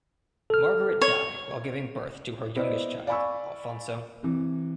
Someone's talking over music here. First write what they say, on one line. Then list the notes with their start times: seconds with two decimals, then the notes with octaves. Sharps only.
Margaret died while giving birth to her youngest child, Alfonso.
0.50 A4 F6
1.02 C#5
2.55 B3 E4 B4 C5 D5 D#5
3.07 D5 F5 G#5 B5 C#6 E6
4.23 C3 E3